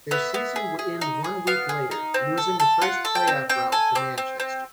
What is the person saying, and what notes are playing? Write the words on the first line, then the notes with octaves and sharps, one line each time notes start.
Their season would end one week later, losing the first playoff round to Manchester.
B3 E5
B3
G#4
G#4
D#4
G#4
B3 F5
G#4
D#4
C4
A4
A4
F4 F#5
A4
G5
C4
C4 G5
A4 G#5
C4 D6
C4
C4